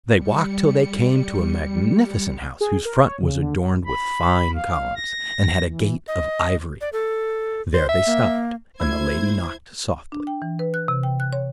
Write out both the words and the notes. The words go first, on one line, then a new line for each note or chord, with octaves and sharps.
They walked till they came to a magnificent house, whose front was adorned with fine columns, and had a gate of ivory. There they stopped, and the lady knocked softly.
G3 C#7
G#4
A#4
C#5
C#3
D3
B5
F5
A#6
E3
D#5
D5
A4
C5
E5
A#3
A3 E4 C5 G#6
D4
G5
E3
B4
F#6
C3
G5
F#6
C#5